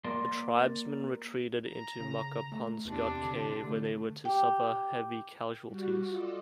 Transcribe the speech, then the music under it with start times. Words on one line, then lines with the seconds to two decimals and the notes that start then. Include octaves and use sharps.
The tribesmen retreated into Makapansgat cave, where they were to suffer heavy casualties.
0.04 A#3 D5 C6
1.69 A#5
2.00 C#3
2.52 A3
2.85 E2 C3 D4
3.23 D3
3.63 D3 A3
4.25 G4
5.66 G3 F#4
6.07 F4 A4 D5 D#5